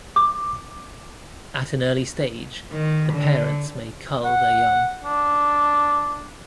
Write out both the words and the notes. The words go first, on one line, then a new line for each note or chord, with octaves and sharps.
At an early stage, the parents may cull their young.
D6
D#3
D3
F#5
D4